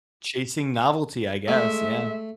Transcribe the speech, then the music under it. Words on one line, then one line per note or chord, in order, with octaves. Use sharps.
Chasing novelty, I guess. Yeah.
G#3 A3 E5